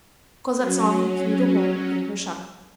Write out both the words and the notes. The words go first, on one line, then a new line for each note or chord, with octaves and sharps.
Cosette saw him through the hole in her shutter.
F#3 C#4